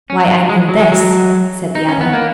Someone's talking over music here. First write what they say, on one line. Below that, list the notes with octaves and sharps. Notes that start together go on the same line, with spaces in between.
"Why, I mean this," said the other.
C#4
G#3
F#3
G#3
F#3
D#4
C#4
B3
A#3